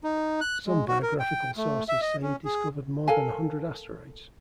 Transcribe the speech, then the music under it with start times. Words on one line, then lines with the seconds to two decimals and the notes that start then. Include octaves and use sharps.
Some biographical sources say he discovered more than a hundred asteroids.
0.04 D#4
0.41 F#6
0.67 G#3
0.88 F#4
1.02 A#4
1.19 G5
1.57 A3
1.89 E5
2.01 D#5
2.23 C#4
2.45 G#4
3.08 A4 A#4 F5 G#5